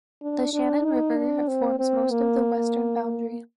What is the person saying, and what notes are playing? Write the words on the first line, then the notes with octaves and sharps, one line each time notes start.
The Shannon River forms most of the western boundary.
D4
D4
D#4
D4
C4
C4
A#3